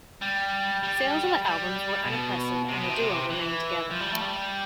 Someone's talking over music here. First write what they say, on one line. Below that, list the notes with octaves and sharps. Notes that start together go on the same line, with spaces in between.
Sales of the albums were unimpressive, and the duo remained together.
G3
G3
G3
B2
C3
B2
C3
E3
F3
G3
A3
G3